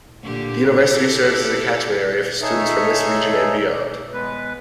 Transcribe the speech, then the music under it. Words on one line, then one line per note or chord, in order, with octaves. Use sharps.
The university serves as a catchment area for students from this region and beyond.
A#2 D3 G4
E4 G4 A4
D#4 G#4 A4 C#5 E5
G#3 B3 B4